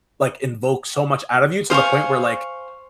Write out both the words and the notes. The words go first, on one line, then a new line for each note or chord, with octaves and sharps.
like invoke so much out of you to the point where like
C5 F5 G#5 C#6